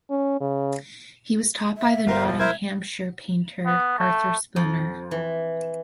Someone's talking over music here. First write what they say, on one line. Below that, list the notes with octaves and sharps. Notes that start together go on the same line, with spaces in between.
He was taught by the Nottinghamshire painter Arthur Spooner.
C#4
C#3
E5
G1 A#4 C5 F5
E1 F3
E4 A#4 C5 E5 G#6
B3
A3
F2
E3